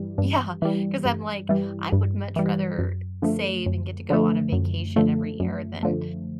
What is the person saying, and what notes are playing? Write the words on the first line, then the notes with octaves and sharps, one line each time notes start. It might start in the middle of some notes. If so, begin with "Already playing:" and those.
Yeah, 'cause I'm like, "I would much rather save and get to go on a vacation every year than
Already playing: G2 E3 G3
G2
E3 G3
G2
E3 G3
G2
E3 G3
F#2
D3 F3 A3
F#2
D3 F3 A3
F#2
D3 F3 A3
F#2
D3 F3 A3